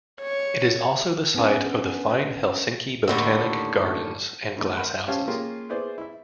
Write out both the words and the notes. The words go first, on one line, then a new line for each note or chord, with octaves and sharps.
It is also the site of the fine Helsinki Botanic Gardens and glasshouses.
C#5
B3 C#4 D4 G5 G#5
D#2 A2 D3
G2 D#3 A3
A#4 F#5 B5 C6
C#4 G4 C5 F5 A5
A#3 C#4 F4 G4 G#4
B3 E4 G#4 C5 D5
E4 E5